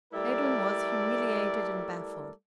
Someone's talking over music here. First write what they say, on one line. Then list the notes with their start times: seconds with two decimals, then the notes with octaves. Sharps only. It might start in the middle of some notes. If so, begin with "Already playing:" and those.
Edwin was humiliated and baffled.
0.13 G3 A3 E4 A4 A#4 D5